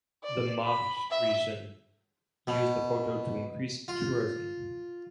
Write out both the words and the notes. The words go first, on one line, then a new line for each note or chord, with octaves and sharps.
The Marche region used the photo to increase tourism.
D5
B5
E5
B2
F4